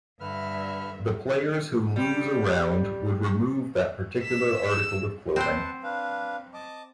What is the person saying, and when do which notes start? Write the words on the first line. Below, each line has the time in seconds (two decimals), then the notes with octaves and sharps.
The players who lose a round would remove that particular article of clothing.
0.20 G2 D3 B4 E5 F6
1.96 G3
4.22 E6 B6
4.67 E6
5.36 C4 B4 C5 F#5 A5
5.83 D4 B4 F5
6.54 D#5 A5 D6